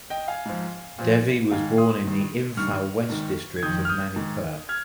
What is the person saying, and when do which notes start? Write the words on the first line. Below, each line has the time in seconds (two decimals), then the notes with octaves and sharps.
Devi was born in the Imphal West district of Manipur.
0.10 D#5 G5
0.28 F5 G#5
0.45 G#2 F3
0.99 A#2 F3
1.51 G#2 D#3 F5 G#5
1.77 C6 D#6
2.04 G2 D#3
2.57 G2 D#3 C#6 F6
3.10 G#2 D#3
3.56 G#6
3.63 F2 D#3 D#6 G6
3.85 F6
3.89 D#6 G6
4.16 G#2 D#3
4.69 F6 G#6